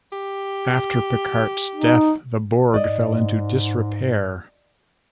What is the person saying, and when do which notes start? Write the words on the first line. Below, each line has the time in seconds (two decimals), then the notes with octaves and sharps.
After Piccardt's death the borg fell into disrepair.
0.12 G4
1.76 D#4
2.74 G#2 D5 D#5